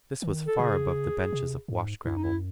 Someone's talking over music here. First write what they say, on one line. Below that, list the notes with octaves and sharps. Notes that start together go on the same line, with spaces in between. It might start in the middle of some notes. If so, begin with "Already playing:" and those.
This was far above the benches of wash-gravel.
D#3
A4
C#3 G#4
C3
G#2
F#2 E4
D#4
E4